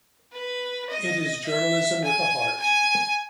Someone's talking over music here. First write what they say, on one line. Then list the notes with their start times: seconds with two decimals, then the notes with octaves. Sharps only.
It is journalism with a heart.
0.32 B4
0.90 D#5
1.46 E5
2.04 G#5
2.60 G#5